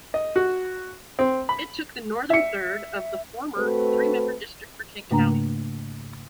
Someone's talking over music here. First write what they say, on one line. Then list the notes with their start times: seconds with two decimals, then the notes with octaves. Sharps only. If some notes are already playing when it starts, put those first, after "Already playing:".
It took the northern third of the former three-member district for Kent County.
0.14 D#5
0.36 F#4
1.19 C4
1.49 B5
2.30 E5 C#7
3.56 A3 C4 F#4 A4 B4
5.11 G#2 C#3 A3 A#3 D4 A#5